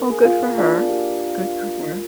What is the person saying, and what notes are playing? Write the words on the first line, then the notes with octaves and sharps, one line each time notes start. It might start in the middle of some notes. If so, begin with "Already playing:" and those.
Well, good for her. Good for her.
Already playing: A#3 D4 A#4
G#4
F4
A#3 D4 F4
G4